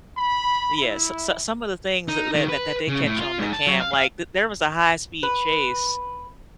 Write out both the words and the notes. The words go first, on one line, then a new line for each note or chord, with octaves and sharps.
yeah, so so some of the things that that that that they catch on the cam, like, the there was a high-speed chase
B5
E4
D#4
D#3
B4
C#3
A2
F4
G#2
A5
F#3
F5
F5
B4